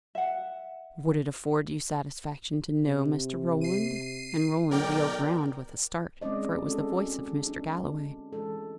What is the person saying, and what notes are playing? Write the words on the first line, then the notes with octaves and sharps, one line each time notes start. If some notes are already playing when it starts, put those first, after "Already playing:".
"Would it afford you satisfaction to know, Mr. Roland?" and Roland wheeled round with a start, for it was the voice of Mr. Galloway.
E5 F#5
C3
C7 D#7
B1 A#4 D5 G5
G#3 C4 C#4 D5 D#5
G#3 C#4 F#4 A4
D4
E3 G#3 A4